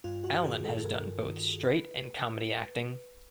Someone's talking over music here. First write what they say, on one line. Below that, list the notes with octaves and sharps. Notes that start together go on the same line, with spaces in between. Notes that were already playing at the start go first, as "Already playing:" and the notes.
Allen has done both straight and comedy acting.
G2 F4
F#4
D#3 G#4
A4
G2 A#4
D#3
B4